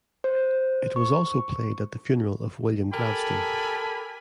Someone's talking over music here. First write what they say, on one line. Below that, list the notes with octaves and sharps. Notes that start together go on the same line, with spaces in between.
It was also played at the funeral of William Gladstone.
C5
C#6
G4 A4 A#4 G#5 B5